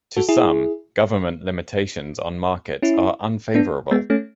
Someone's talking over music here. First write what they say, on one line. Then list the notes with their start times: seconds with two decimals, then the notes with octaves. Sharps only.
To some, government limitations on markets are unfavorable.
0.17 F#4 A4
0.29 E4 G#4
2.82 C#4 E4
3.55 B3 D4
3.91 G#3 B3
4.10 A3 C#4